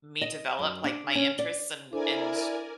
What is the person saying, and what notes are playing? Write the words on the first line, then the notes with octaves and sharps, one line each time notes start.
me develop like my interests and and
D#5
F#2
D4
C#4
D5
D4 E4 A4 A#4 C5 D5 G#5